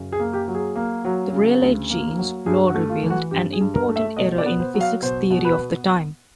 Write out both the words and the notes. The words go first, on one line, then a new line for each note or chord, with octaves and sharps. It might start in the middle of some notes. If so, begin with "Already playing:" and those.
The Rayleigh-Jeans law revealed an important error in physics theory of the time.
Already playing: F#2 C#3
G#4
A#3
G4
F#3
G#4
A#3
F#3
C#3
D2
A#3
F#3
G2 G#4
F#4
A3
F4
E3
F#4
G2 G4
G#4
G2
A#4
A3
E5
B2 D#5
D5
B3
C5
F#3
F5
B2 C5
B2
B4
B3